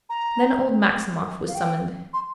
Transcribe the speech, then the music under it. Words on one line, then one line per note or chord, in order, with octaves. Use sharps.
Then old Maximov was summoned.
A#5
F5
G5
C6